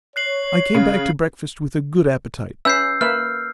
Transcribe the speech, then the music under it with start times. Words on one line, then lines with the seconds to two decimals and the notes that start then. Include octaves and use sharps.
I came back to breakfast with a good appetite.
0.16 C#5 F#6 C7 F#7
0.75 C#3
2.65 C#4 B4 E5 E6 G6 C7
3.01 A#3 B4 E5 F6